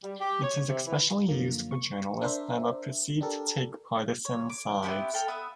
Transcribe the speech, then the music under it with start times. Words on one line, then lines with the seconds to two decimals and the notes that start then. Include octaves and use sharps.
It is especially used for journalists that are perceived to take partisan sides.
0.03 G3
0.21 G4
0.43 C#5
0.68 C3
0.87 E3
1.29 F#2 D3 F3 A#3
1.71 C#6
2.22 D4 A#4 C5 E5
3.21 D4 G4 A4 A#4
4.25 C#5
4.49 D6
4.83 B3 C4 E4 G4
5.14 A4 G5 F6
5.28 B3 E5 D#6